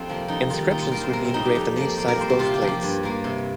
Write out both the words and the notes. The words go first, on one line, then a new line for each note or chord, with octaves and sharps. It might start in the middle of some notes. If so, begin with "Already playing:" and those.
Inscriptions would be engraved on each side of both plates.
Already playing: F2 C4 D#4 F4 G4
C3 F3 A#3
F2 D#4
D#3 G3 F4
A#2 D#4
F4
G3 A#3 A#4
C5
C3 A#4
C4
G3 A#3 D#4
G4
F2
F3 A#3
A#2 G4
A#4
G3 A#3 C5
G4
C3 F4
G4
F3 A#3
G4
G2
G3 A#3
C3